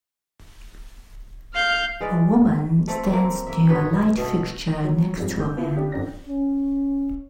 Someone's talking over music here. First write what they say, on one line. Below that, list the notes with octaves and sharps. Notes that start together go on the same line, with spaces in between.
A woman stands near a light fixture next to a man.
F5 F6 G6
G#3 B4 D5 F5
A3 C4
F#3 A3 A#3 C4
A#3 E5
G2 B2 B4 C#5
B2 A3
F#3
F2 G#2 F3 G3
G6
B3 E4 F4
D4 G4
G#1 F2 D4 A#6
C#4